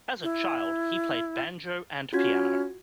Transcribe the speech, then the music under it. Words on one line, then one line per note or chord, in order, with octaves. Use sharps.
As a child, he played banjo and piano.
E4
C#4 F4 F#4 G#6